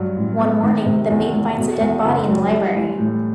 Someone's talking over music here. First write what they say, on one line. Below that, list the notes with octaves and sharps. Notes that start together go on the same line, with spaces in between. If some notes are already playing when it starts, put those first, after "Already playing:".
One morning, the maid finds a dead body in the library.
Already playing: G2 F#3
A1
B3
D#3
C3
E2
E2
B2
E2
F#1
F#3
G3
E3
A2